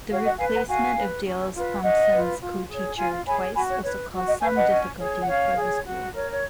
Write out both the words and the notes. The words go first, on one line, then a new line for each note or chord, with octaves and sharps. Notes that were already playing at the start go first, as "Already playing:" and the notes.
The replacement of Dale's Thompson's co-teacher twice also caused some difficulty for the school.
F#4 C#5 F5
D#5 F#5
B4 F5 G#5
F#5 A#5
F#4 F5 G#5
B4
C#4
F4 B4
C#4 D#5 F#5
F4 B4
F4
G#4 C#5
F4 F5 G#5
G#4 C#5 G#5 B5
F#4 G#5 B5
C#5
B4 C#5
F#4
D#5
B4 F5 G#5
D#5 F#5
C#4
G#4 C#5
F#5
C#4 C#5 F5
G#4 C#5
F#4
A#4 C#5
C#5